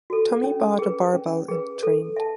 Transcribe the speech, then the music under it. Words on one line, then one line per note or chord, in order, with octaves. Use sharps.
Tommy bought a barbell and trained.
F#4 A4
C#4
G#4 B4
C#4
G#4 B4
A4
E5 A5